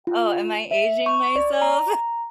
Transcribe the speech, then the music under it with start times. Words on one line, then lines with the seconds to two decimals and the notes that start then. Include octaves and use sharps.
Oh, am I aging myself?
0.07 F4
0.71 E5
1.06 C#6
1.36 D5
1.62 A#5